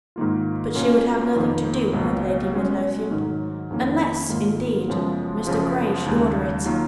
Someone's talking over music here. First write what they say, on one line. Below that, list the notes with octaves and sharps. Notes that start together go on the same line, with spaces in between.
But she would have nothing to do with Lady Midlothian, unless, indeed, Mr. Grey should order it.
G#2 D#3 A#3 F4
B2 A#3 C#4 F4
F2 D#3 A#3
C#2 B2 F#3 A#3
B2 G#3 C#4 F#4
G#2 D#3 F#3
F2 D#3 A#3 C#4
G#2 D#3 A#3 F4
F#2 C#3 F3 G#3 B3
F#2 C#3 F3
D#2 C#3 G#3
D#3 F#3 A#3 F4